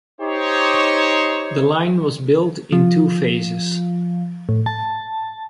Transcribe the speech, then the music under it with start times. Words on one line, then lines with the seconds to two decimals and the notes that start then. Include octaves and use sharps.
The line was built in two phases.
0.21 D#4 G4 C5 C#5
2.72 F3
4.49 A2
4.66 A5